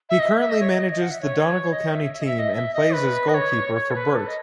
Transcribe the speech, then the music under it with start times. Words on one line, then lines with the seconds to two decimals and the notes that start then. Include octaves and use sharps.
He currently manages the Donegal county team and plays as goalkeeper for Burt.
0.10 E5
0.19 D#5
0.30 E5
0.40 E5
0.50 D#5
0.60 C#5
0.70 D#5
0.90 D#5
1.01 F#5
1.11 E5
1.22 C#5
1.71 D#5
1.93 E5
2.13 E5
2.20 D#5
2.25 E5
2.39 D#5
2.53 E5
2.74 D#5
2.94 B4
3.28 D#5
3.34 C#5
3.75 C#5
3.91 A4
3.95 B4
4.15 A4
4.27 D#5